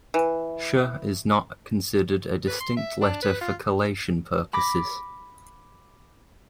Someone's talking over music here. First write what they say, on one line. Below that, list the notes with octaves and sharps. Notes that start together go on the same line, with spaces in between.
"Sh" is not considered a distinct letter for collation purposes.
E3
B4
C6
E5
D4
B4
F4
B5 D6 A#6